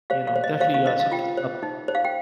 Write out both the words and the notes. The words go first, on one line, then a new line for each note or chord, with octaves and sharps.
you know, definitely uh something to celebrate.
C5 F5
F5
C5
D#5
C5 F5
F5
C5 D#5
F5
F4 G5
C5
D#4
C5
F5
G5